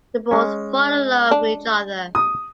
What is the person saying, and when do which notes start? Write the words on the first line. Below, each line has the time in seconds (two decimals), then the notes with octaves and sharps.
They both fall in love with each other.
0.31 G#3 C#4
1.31 D4
2.15 D#6